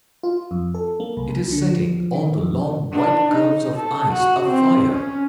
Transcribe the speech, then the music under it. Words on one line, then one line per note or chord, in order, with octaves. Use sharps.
It is setting all the long white curves of ice afire.
F4
F2
A4
A#3
C2
C2
D3
F3
D#3
F2
D4
D#4
A4
F#4
C4
C#4